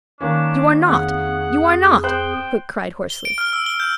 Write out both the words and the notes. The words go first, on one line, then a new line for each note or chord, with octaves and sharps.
"You are not; you are not," Hook cried hoarsely.
D#3 A#3 C#4 D4
F2 G#4 F#5
C5 G5 F#6
G7
D7
F6
E6
G7
G6